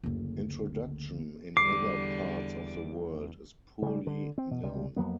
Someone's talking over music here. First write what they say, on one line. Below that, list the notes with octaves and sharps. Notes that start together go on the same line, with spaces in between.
Introduction in other parts of the world is poorly known.
F#1 D2
E2 D3 G3 D6 C7
C#3 G3
D3
C4
B2
C#2 C3 G3
F2 F#3 A#3 B3